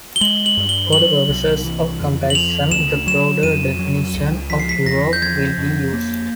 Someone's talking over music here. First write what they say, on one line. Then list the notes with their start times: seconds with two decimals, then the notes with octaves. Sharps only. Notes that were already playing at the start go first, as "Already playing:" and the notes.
For the purposes of comparison the broader definition of Europe will be used.
0.16 G7
0.21 G#3 F#7
0.46 F#7
0.57 G2
0.69 G7
0.93 F#3 F#7
1.29 C2
1.65 E3
2.00 F2
2.30 F#7
2.35 F3 F7
2.71 D2 E7
3.07 F#3 E7
3.43 F2 D#7
3.79 F#3
4.14 C#2
4.50 F3 B6
4.60 C7
4.69 B6
4.86 E2 A#6
5.13 G6
5.22 F3 G#6
5.58 F2
5.93 A#3